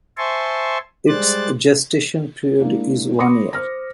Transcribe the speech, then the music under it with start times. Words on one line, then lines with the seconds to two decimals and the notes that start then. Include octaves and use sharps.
Its gestation period is one year.
0.18 C5 E5 G#5 A5 C6 C#6
1.08 G3 G#3 C5 D5 F#6 A6
2.59 G#3 A#3 D4 E4
3.18 B5 C6 D6 D#6 A#6 C#7
3.53 C5 F6 A#6